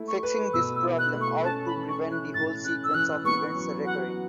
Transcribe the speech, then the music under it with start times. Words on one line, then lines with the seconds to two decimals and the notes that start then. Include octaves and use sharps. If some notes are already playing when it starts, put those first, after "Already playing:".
Fixing this problem ought to prevent the whole sequence of events recurring.
Already playing: A3 E4
0.08 C#6
0.23 B4
0.54 B2 E6
0.76 E6
0.84 E4
0.99 F#6
1.14 A3
1.21 C#6
1.44 C#4 A5
1.66 B5
1.74 E3
1.89 C#6
2.04 E4
2.12 F#6
2.34 A2 A6
2.65 C#4 F#6
2.84 E6
2.94 E3 F#6
3.25 B3 C#6
3.55 F#3
3.85 F#4 F#5